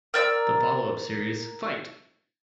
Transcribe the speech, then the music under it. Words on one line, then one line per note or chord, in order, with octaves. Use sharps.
The follow-up series, Fight!
A#4 D5 E6